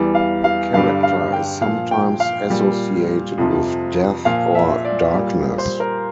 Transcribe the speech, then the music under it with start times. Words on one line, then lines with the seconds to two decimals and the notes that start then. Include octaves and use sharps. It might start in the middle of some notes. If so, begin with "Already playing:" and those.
The character is sometimes associated with death or darkness.
Already playing: E2 E3 G3
0.15 F5
0.44 F5
0.74 G2 D3 G3 F5
1.03 F5
1.33 G5
1.61 A#2 F3 F5
1.91 G5
2.20 F5
2.50 A#2 G3
3.38 F2 C3 F3
4.25 A#2 F3 F5
4.55 E5
4.85 D5
5.14 A#2 G3
5.58 C5
5.80 A#4